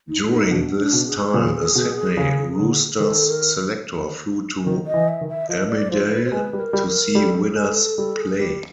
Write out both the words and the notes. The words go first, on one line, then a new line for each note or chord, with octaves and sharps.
During this time a Sydney Roosters selector flew to Armidale to see Widders' play.
D#4
E4
D#4
B2 D4
D4
B2
G#4
A#2
B2
C#3
D3
D#3 A4
A#4
D#3
D#5
E3
E5
D#3
E5
F3 D#5
D5
F3 C5
B4
C5
G#3 B4
G3
A#4
G3
A#4
G3 A4
G#4
G#3
A4
G3 A4
G#4
G3 G4